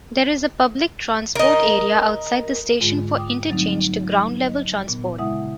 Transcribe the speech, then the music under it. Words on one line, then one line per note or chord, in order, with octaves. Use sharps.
There is a public transport area outside the station for interchange to ground-level transport.
A#4 D#5
G#2 D3 G#3 F4 G#4
G5 D6 D#6
D3 F#3 G3 A3 C4 D#4
D#5
A#2 B3
C#3 G#3 E4 E5 F#5 D#6